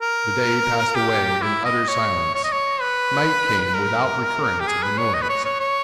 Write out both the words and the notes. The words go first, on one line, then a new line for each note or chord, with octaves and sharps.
The day passed away in utter silence--night came without recurrence of the noise.
A#4
G4
E4
D#5
C#5
C#5
D#5
C#5
B4
A#4
G4
G#4
B4
C#5
D#5
B4
C#5
C#5
C#5